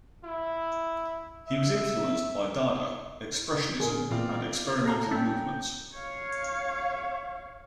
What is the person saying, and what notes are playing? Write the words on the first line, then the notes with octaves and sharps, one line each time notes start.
He was influenced by Dada, Expressionism and experimental movements.
E4
E5
A#2 D3 G#4 A#4
A#2 E3 B3 C4 F4 D5
F#4 A4 A#4 F5 A#5 A#6
C#4 D4 A4 G5 B5
C#5 F5